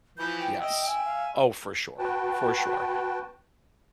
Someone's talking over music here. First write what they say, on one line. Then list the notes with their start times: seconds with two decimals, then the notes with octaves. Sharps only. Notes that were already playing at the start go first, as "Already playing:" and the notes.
Yes, oh, for sure, for sure.
0.18 E3 F3 B4 G6
0.40 G5
0.60 D#5 E5
0.86 E5 G#5
1.05 F5
1.99 F#4 B4 G5 A5